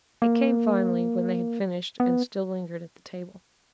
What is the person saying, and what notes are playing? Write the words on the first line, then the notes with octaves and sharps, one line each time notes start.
It came finally when they had finished and still lingered at the table.
A#3
B3